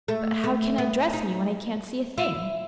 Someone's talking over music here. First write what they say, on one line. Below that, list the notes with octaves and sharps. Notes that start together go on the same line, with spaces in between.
"But how can I dress me when I can't see a thing?"
A3
A3
B3
D#4
E4